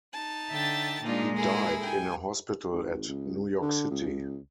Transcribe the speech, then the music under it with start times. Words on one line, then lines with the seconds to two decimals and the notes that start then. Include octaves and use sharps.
He died in a hospital at New York City.
0.13 D#4 A5
0.50 D3 E5 G5 A6
1.03 A#2 G#3 A#3 D4 D#4 F4
1.35 A#3 E4 G#4 A4
1.81 G5 G#5
2.72 G#1
3.08 C#2
3.62 D3
3.91 C#2